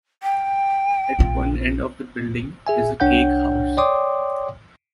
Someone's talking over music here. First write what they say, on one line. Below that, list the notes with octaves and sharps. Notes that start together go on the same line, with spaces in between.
At one end of the building is a cake-house.
G5
A#1 F4
G#4 E5 G#5
C2 D4 C#5 F#5 G5 G6
C#5 D5 G5 C6 D6 D#6